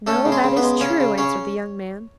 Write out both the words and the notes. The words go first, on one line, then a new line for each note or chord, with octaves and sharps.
'No; that is true,' answered the young man.
A3 C#4 A4
C#3
G#3 G#4
C#3
B3 B4
G#3
C#3 C#4 C#5
C#3
C#3 C#4 C#5